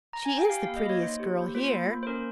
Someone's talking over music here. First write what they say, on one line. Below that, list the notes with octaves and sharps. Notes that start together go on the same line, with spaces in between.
"She is the prettiest girl here."
A#5
G#5
G5
G4 F5
A#3 F5
D#5
A#3 C#5
D#4 C5
G4
A#3
F4 C5
A#3
A#3
C5
C#4 A#4